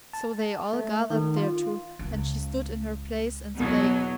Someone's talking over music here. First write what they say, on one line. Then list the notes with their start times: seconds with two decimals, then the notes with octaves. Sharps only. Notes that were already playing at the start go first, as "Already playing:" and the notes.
So they all gathered thereto, and she stood in her place and spake.
0.13 A5
0.73 A3
1.10 D#3
1.37 F4
1.99 C#2
3.55 E2 B2 F#3